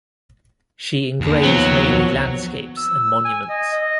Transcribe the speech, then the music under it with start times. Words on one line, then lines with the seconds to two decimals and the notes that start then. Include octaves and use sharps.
She engraves mainly landscapes and monuments.
1.21 D#2
1.43 F3 F#3 B3
2.77 E6
3.25 G#5
3.49 D#5
3.72 D#5